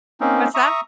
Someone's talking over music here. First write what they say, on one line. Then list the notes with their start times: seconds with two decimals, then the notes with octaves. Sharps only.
What's that?
0.21 A#3 C4 C#4 D#4
0.54 E5 A#5 C#6 D#6